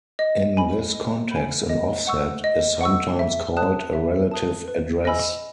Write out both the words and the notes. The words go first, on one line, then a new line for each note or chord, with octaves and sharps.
In this context an offset is sometimes called a relative address.
D#5
G#5 B5
D#5
G#5 B5
D#5
F#5 C#6 E6
D#5
F#5 C#6 E6
E5
A5 D#6 F#6
E5
A5 D#6 F#6
B4
D#5 G#5 B5 E6